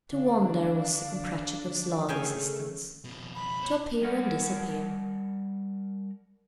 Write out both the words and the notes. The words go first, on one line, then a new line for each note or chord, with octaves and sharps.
To wander was the Comprachicos' law of existence--to appear and disappear.
D3 D4 F5
C#3 A3 A#4 G5 G#5
F2 B2
B5
C5 C#5
G3 A#4 F#5